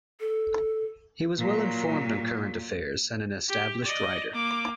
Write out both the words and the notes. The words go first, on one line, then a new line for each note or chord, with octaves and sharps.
He was well informed on current affairs and an established writer.
A4
A#2 F#3
G4
D5 D#5
A#3 D6